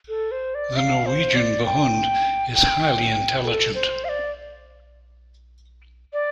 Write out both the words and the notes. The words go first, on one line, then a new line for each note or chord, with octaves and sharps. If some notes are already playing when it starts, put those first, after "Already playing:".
The Norwegian Buhund is highly intelligent.
A4
C5
D5
F5
C5
D5
G5
G5
A4
C5
F5
D5
D5